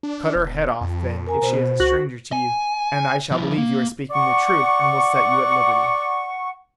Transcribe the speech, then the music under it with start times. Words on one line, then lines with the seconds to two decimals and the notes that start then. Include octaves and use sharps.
"Cut her head off," then, "if she is a stranger to you, and I shall believe you are speaking the truth, and will set you at liberty."
0.03 D4
0.36 E1
0.81 F2
1.27 A#4 G#5 A#5
1.42 B2 C5
1.80 C#2 F#4
2.33 G#5
3.31 F3 E4
3.58 A#3
4.11 D5 F#5 C#6